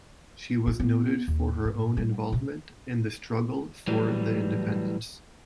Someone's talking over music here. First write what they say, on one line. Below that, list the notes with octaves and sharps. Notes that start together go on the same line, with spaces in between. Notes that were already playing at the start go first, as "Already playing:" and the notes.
She was noted for her own involvement in the struggle for the independence.
F4
B3
D#2
G#2
G3
C3
A2 E3 F#3 G3